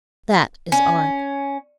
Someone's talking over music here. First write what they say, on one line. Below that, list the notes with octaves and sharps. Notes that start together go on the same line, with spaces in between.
That is Art.
C#4